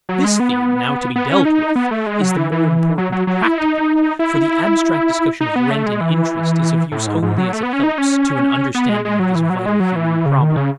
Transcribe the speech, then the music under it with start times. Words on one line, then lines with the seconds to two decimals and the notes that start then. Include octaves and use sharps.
This theme now to be dealt with is the more important practically, for the abstract discussion of rent and interest is of use only as it helps to an understanding of this vital human problem.
0.09 F#3
0.24 G#3
0.40 B3
1.16 B3
1.30 C#4
1.45 D#4
1.76 B3
1.91 A3
2.06 G#3
2.22 F#3
2.37 E3
2.52 E3
2.98 F#3
3.12 F#3
3.27 F#3
3.43 E4
3.58 D#4
4.19 E4
5.41 D#4
5.56 B3
5.71 A3
5.86 G#3
6.01 E3
6.92 A2
7.07 G#2
7.22 G#2
7.38 F#3
7.53 A3
7.63 B3
7.73 C#4
7.83 D#4
7.98 C#4
8.75 B3
8.89 G#3
9.05 G#3
9.19 F#3
9.35 E3
9.50 F#3
9.66 G#3
9.80 F#3
9.96 E3
10.26 C#3
10.42 D#3
10.56 C#3